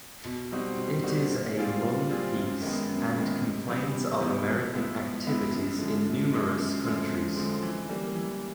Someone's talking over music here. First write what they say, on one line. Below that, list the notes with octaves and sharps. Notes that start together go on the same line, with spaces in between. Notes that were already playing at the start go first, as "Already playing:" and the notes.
It is a long piece, and complains of American activities in numerous countries.
B2
G3 C4 D#4 F#4
B2
G3 C4 D#4 F#4
A#2
G3 C4 F4 G#4
A#2
G3 C4 F4 G#4
F#2
D#3 G#3 B3
F#2
D#3 G#3 B3
C3
E3 G3 B3 D#4
C3
E3 G3 B3 D#4
F3
G#3 B3 E4
F3
G#3 B3 E4
F#2
D3 F3 G#3
F#2
D3 F3 G#3
F#2
D3 F3 G#3 C4
F#2
D3 F3 G#3 C4
E3
G3 A#3
E3